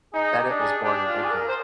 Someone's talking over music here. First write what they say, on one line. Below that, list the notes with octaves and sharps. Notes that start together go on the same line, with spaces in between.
Bennett was born in England.
D#4 G#4
G4
D4
G#4
D4 G4
F4
G#4
A#4
C5